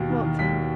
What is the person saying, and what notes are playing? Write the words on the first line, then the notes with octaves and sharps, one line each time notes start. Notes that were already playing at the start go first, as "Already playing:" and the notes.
"What thing?"
Already playing: D#2 B2
D#3
D#3
D#2 B6